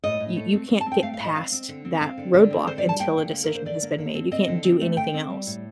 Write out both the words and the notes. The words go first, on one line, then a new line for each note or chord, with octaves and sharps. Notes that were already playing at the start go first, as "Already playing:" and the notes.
you you can't get past that roadblock until a decision has been made. You can't do anything else.
A2 D#5
A2
A3
C4
C4
A5
C4
G5
A3 F5
F5
A2
D#5
C4 F5
C4
D3
C4
C4 F5
D3
D3
C4
D3 C5
D5
G3
A5
A#3 G5
D3
A#3
D3 A#4
C5
D3 D5
A#3
D3
C4
C4 D#5
D3
C4
A3
D3 G5
C4
G3
A2